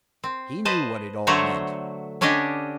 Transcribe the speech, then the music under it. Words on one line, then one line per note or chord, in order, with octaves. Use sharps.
He knew what it all meant.
C4
B4 C5 D#5 A5
D3 F#3 A3 C5 C#5 A#5
D3 C#4 D4 G4 D#5 G#5